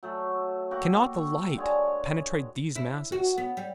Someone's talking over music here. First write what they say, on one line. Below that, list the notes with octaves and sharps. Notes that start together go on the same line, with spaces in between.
Cannot the light penetrate these masses?
F#3 A3 A4
A#3 F#4 G4 A4
C#6
D3 G#3 C#5
E4
F#4
B3
G3